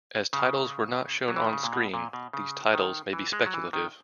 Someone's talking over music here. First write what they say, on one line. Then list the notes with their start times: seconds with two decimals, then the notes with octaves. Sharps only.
As titles were not shown on-screen, these titles may be speculative.
0.33 C#3
1.28 F#3
1.36 E3
1.45 D#3
1.53 C#3
1.63 A#2
1.73 B2
1.94 A#2
2.13 B2
2.33 C#3
2.74 D#3
3.13 E3
3.33 G#3
3.46 F#3
3.54 E3
3.73 D#3